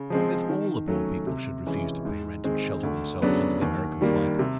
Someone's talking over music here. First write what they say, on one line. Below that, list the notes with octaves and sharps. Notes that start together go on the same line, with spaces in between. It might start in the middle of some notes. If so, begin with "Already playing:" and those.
What if all the poor people should refuse to pay rent and shelter themselves under the American flag?
Already playing: C#3
F3 G#3 C4
D#3
F#3 A3 C#4
C3
E3 G#3 C#4
G#2
D#3 G#3 C4
D2
C#3 F#3 B3 D4
D#2
D#3 G3 A#3
C3